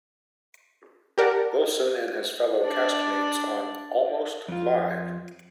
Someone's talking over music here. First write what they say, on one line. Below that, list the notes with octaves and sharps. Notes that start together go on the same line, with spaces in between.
Wilson and his fellow cast-mates on Almost Live!
G4 A#4 D5 F#5 A5
D4 D5
F2 F4